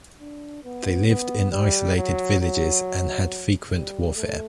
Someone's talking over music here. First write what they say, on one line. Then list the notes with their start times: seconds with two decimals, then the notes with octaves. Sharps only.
They lived in isolated villages and had frequent warfare.
0.20 D4
0.64 B3
1.07 B3
1.51 G3
1.96 F#3
2.40 F#3
3.71 G3
4.16 A3